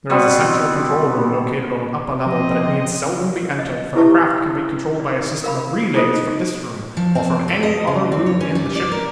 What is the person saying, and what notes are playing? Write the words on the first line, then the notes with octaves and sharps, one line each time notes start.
There is a central control room located on an upper level, but it need seldom be entered, for the craft can be controlled by a system of relays from this room or from any other room in the ship.
B2 G3 C4
F3 C4 D#5
D#5
E4 G4 B4 E5 A5 C#6
D5
A#4 F5 B5
D#4 F4 A4 C5 D#5
F3
C4
A4
D#5
C#3
C4
C#5
C#4
G3
D5
A#4